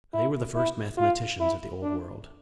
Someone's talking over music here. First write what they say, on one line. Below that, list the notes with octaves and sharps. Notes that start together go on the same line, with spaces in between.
They were the first mathematicians of the Old World.
E4
E4
F4
E4
D4